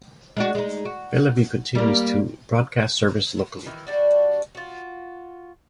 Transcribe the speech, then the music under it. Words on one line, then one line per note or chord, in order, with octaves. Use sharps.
Bellevue continues to broadcast services locally.
G#3 D4 F#4
G#3 D#4
F#4
G3 A#3
D#3 E3
G3 D4 F#4
F4 F#4